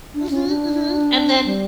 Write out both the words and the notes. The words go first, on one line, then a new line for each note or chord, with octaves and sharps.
Mhm, mhm, and then
D4
C#4
D4
G3